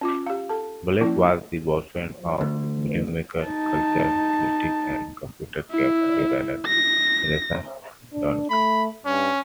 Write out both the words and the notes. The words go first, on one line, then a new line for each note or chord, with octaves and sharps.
Blake was the boyfriend of filmmaker, cultural critic and computer game designer Theresa Duncan.
C#4 F4 D6
G4 F5
A4 A5
F3 A#3 C#4 E4
D2
D#4 A5
E4
A#6
D4
A3 B5
G2 C#4